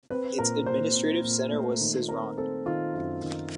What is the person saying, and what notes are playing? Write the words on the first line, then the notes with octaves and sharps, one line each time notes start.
Its administrative centre was Syzran.
C4 B4
A#2 A#4
A#2 C5
C4
A#2
A3
D#3
C4 A#4
C4 A4
D#3 F4
F#2
D#3